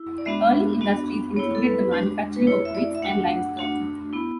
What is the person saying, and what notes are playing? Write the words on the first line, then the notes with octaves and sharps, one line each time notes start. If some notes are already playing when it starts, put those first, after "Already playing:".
Early industries included the manufacturing of bricks and limestone.
Already playing: E4
D5
G#3 B3 D4 F#4 E5
B3 D4 F#4
B3 E4 C#5
A4
B4
G#3 D4 F#4
B4
A3 E4 C#5
E5
D5
E5
A3 D4 F#4 F#5
A3 D4 F#4
B3 E4